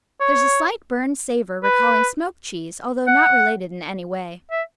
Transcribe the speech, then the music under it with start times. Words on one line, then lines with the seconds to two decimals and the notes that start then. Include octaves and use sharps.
There's a slight burned savor recalling smoked cheese, although not related in any way.
0.20 C#5
1.63 B4
3.07 F#5
4.51 E5